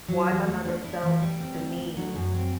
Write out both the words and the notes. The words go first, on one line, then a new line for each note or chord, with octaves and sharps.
why my mother felt the need
F#3
E2
A3
D4
E4
E3
G3
C4
D2
D2
F#3
F#2
C4